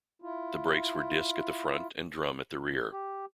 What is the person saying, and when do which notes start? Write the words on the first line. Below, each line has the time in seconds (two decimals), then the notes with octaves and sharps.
The brakes were disc at the front and drum at the rear.
0.22 E4 F4
2.93 G4